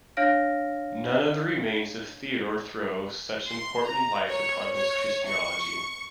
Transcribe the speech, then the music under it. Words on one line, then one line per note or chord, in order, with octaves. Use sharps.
None of the remains of Theodore throw such important light upon his Christology.
D4 C#5 F5 F6 A#6 D7
C6
A#5
C#5
C#5
C#6